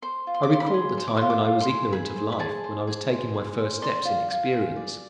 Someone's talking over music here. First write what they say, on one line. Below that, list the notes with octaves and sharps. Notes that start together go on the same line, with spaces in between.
I recalled the time when I was ignorant of life, when I was taking my first steps in experience.
C5 C6
F4
C6
D6
F4 C6
B5
C6
G#4
C5 C6
D6
F4 C6
D6
F4
C6
G#4
G#4 B5
C5
B5
G#4 A5
C5
G#4
C5
G#4
C5
D5 C6
F4
F4
G#4
D5